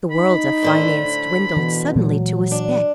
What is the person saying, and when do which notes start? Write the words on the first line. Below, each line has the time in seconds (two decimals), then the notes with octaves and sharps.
The world of finance dwindled suddenly to a speck.
0.11 D#4 B5
0.63 A2 D3 C5
1.56 B2 E3
1.96 A#2 E3 F#3 G#3
2.51 D4